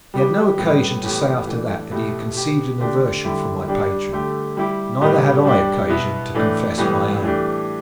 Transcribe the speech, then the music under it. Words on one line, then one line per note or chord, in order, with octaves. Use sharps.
He had no occasion to say after that that he had conceived an aversion for my patron, neither had I occasion to confess my own.
G3 B3 G4
A2 G3 B3
A2 E3 B3 G4
E3 A3 D4
B2 A3 E4 G4
B2 B3 G4
D3 A3 D4 G4
D3 G3 E4 G4
G3 D4 G4
D3 A3 G4
G3 E4 G4
A2 G3 B3 G4
G3 D4 G4
B2 B3 E4
A2 E3 A3 D4
A2 E3 G3 B3
E3 A3 D4 G4